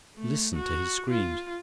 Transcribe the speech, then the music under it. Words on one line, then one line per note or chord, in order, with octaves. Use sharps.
Listen to his screams!
A3
F#4
F4